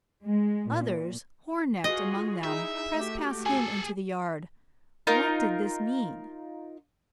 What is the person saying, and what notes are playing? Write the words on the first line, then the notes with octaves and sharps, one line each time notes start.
Others, Hornecht among them, pressed past him into the yard. What did this mean?
G#3
A#2
F4 F#4 G#4 D#5
D#4 E4 G#4 E5
A3 F#4 G4
G#4 A4 G#5
D#4 F4 A#4